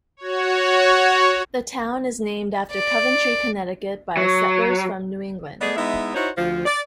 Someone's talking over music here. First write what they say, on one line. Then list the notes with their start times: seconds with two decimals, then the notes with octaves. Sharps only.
The town is named after Coventry, Connecticut, by settlers from New England.
0.17 F#4 C#5
2.73 D5
4.17 F#3
5.61 A3 B3 G#4 D5 D#5
5.77 G#3 B3 D#4 E4 E5
6.15 D#4 E4 F#4 C5 C#5
6.37 D2 F3
6.65 D5